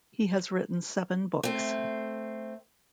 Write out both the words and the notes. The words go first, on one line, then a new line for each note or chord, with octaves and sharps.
He has written seven books.
A3 C4